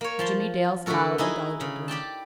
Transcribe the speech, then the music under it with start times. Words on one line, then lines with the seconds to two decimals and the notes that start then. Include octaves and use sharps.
Jimmie Dale smiled indulgently.
0.01 A#3 C#5
0.19 F3 A5 C6
0.86 D3 A3 D4 F#4 A4 A#4
1.18 D#4 E4 G#4 D#5
1.61 C#3
1.88 G4 D5 G5 A5